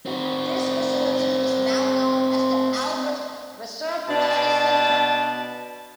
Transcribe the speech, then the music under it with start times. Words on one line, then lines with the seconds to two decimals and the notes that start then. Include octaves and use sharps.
This facility is now known as the Albert Reserve Tennis Centre.
0.06 C4 F#4
4.09 B2 D4 A5